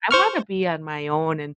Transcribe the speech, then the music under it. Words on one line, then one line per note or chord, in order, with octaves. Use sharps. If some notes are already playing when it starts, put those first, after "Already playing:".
I wanna be on my own, and
C5 C#6 F6